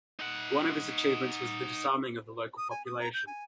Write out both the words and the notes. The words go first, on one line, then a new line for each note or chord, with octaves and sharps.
One of his achievements was the disarming of the local population.
D#4 F#5
D#6
G#5
D#6
A#5
G6
G#5